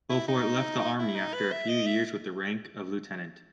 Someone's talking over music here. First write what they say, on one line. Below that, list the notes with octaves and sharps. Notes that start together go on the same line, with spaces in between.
Beaufort left the Army after a few years with the rank of lieutenant.
E4
D#4
E4
D#4
B4
E5
D#5
E5